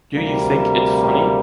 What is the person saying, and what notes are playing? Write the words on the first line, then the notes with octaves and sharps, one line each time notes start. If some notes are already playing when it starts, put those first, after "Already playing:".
Do you think it's funny?
D2 C3 G3 A#3